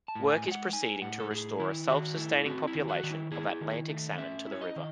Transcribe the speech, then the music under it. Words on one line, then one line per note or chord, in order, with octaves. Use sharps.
Work is proceeding to restore a self-sustaining population of Atlantic salmon to the river.
A5
A2
G#5
G#3 G#5
F#5
D#4 G#5
A2 F#5
A4
A2 G#4
D#3 E4
D#3 F#4
A3 E4
C4 F#4
E4
D#3
F#4
D#3
E4
E4 G#4
D#3
A3
C#4 E5
E4
C#5
D#5
D#3